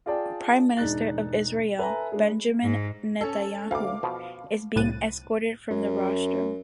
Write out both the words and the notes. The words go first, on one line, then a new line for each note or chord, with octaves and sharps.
Prime Minister of Israel, Benjamin Netanyahu, is being escorted from the rostrum.
F4 G#4 D5 G5 A5
E1 G#2 D4 D#4 F#6 A6
A4 B4 E5 G#5 A#5
G#3 D4
G#2
C#4 A4
D2 F5 D6
B2 F3
C2 A2 F#6 A6 D#7
F#2